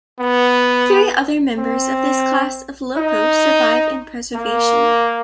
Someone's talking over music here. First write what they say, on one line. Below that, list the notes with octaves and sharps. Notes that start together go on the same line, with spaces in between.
Three other members of this class of loco survive in preservation.
B3
C4
D#4
A#3